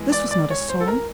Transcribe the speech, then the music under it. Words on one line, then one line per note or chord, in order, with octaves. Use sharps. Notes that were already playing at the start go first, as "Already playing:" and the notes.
This was not a song.
Already playing: E3 G#3 B3
D5
D5
C#5
C5
A4
A#4